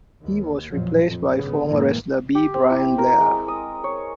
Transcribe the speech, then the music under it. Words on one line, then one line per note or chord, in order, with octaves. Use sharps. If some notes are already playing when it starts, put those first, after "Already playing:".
He was replaced by former wrestler B. Brian Blair.
D#2
A1 F2 A#2 F3 F#3
F2
G#1 G2 C#3 B3
F#2 A2 D#3 E3 G#3 A#3
G4
C4
E4
A#4
G#3
D#6
C#5